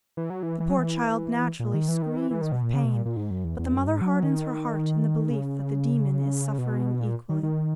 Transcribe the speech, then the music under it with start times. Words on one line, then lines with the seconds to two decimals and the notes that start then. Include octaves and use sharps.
The poor child naturally screams with pain, but the mother hardens her heart in the belief that the demon is suffering equally.
0.17 E3
0.30 F#3
0.43 E3
0.60 E3
0.69 F#3
0.79 E3
1.60 A#2
1.74 D#3
1.88 E3
2.02 D#3
2.17 E3
2.31 E3
2.41 D#3
2.52 B2
2.63 A#2
2.74 C#3
2.85 B2
2.95 A#2
3.06 A#2
3.17 G#2
3.31 F#2
3.44 E2
3.59 E2
3.73 F#2
3.87 G#2
4.01 F#3
4.23 D#3
5.30 C#3
6.58 B2
7.00 A#2
7.29 D#3
7.43 D#3